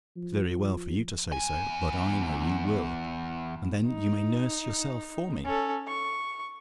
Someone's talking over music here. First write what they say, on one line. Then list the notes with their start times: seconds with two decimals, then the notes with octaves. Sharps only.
It's very well for you to say so, but I know you will; and then you may nurse yourself for me.
0.17 F3
1.32 E2 G#5
3.87 D#4
5.44 C#4 A4
5.87 C#6